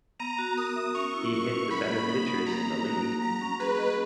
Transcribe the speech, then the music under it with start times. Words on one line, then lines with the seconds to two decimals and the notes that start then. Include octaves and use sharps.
He hit the better pitchers in the league.
0.19 B3 A#5
0.38 F#4
0.57 A#4 D#6
0.76 E5
0.94 C#4 C#6
1.14 E4
1.33 A#4 C#6
1.52 C#4
1.70 F#3 B5
1.90 A#3
2.09 D#4 B5
2.28 F#3
2.46 A#3 A#5
2.66 D#4
2.84 F#4
3.02 A#3
3.22 F#3 A#5
3.41 C#4
3.59 G#4 B4
3.78 D#5